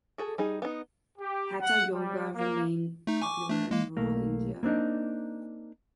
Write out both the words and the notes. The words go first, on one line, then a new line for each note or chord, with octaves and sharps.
Hatha yoga remained popular in rural India.
F#4 G#4 A4
G3 D#4 G#4
B3 D#4
G4
F#5
G3
A#3
A3 D#4
G#5 C#6 D6
A3 D4
G#3 A#3
B1 A3 A#3
A#3 C4 D4 D#4